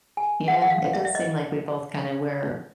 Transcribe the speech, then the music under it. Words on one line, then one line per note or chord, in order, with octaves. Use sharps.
Yeah. It does seem like we both kinda were
G#5
F#5
F#5
F5
E5
E5
D#5